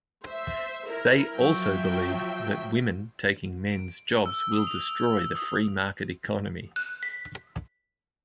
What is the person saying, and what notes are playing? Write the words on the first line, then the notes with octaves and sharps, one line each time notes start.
They also believe that women taking men's jobs will destroy the free market economy.
C5 E5
E4 A#4
F3 F#3 E5 G5
D7
E6
D#6
F7
D#6
F#6
B6